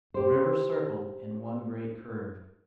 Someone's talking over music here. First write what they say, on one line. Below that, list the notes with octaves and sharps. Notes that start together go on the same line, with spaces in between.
The river circled in one great curve.
G4 C5